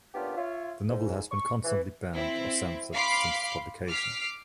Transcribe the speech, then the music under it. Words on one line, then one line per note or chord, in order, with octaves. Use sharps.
The novel has been constantly banned or censored since its publication.
A#2 B3 C#4 D4 F4 G4
F4 C#5 E5
G#2
C#6
E3
C4 E4
F5 B5 C6 D6 C7 D7
D6 F6 B6 C7